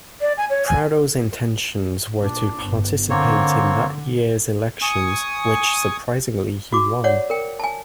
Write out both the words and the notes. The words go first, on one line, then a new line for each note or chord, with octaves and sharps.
Prado's intentions were to participate in that year's elections which, surprisingly, he won.
D5
G#5
C#5
G#5
A#2 D4
G1
D3 A#3 C4 C#5
G#5 C#6 D#6
F#4 D6
C#5 D5 F#5
A#4 G5
G#5 A5